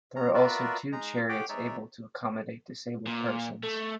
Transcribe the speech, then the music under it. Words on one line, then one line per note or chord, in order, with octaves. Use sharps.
There are also two chariots able to accommodate disabled persons.
C#4 A#5
F4 F#4 A#4 B4 D5 E5
G#3 D#4 A#5
G4 G#4 C#5 F#5 G5 D6
G#3 D#4 C#5 D5 E5
A#2
A3